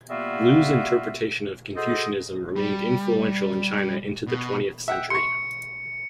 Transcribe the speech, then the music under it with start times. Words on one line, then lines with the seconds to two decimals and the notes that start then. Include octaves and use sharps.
Lu's interpretation of Confucianism remained influential in China into the twentieth century.
0.09 G3 A#3 B3 F4 F#4 E5
1.76 F#4 G#4 A4 C5 D#5
2.56 G3
4.27 B2
4.88 E5 F#5 G5
5.10 C6 C#6 C#7